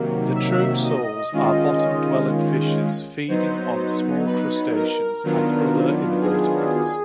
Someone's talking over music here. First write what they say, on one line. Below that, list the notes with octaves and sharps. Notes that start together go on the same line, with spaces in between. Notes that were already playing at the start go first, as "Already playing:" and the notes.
The true soles are bottom-dwelling fishes feeding on small crustaceans and other invertebrates.
Already playing: C3 D#3 F#3 A#3
E5
D#5
D#3 G#3 C#4 F4
F#3 B3 D#4 C5
B4
A#4
D#3 F#3 B3 D4 F4
G#4